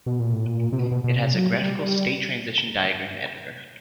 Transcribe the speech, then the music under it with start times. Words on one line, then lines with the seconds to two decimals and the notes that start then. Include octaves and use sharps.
It has a graphical state-transition diagram editor.
0.06 B2
0.19 A#2
0.33 A2
0.46 A#2
0.72 C3
0.79 B2
0.91 B2
1.04 B2
1.15 C3
1.34 F#3
1.53 G3